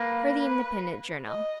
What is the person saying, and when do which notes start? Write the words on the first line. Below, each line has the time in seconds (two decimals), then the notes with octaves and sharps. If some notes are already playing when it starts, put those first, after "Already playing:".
For the Independent Journal.
Already playing: A#3 B4
0.38 B4
1.26 D#5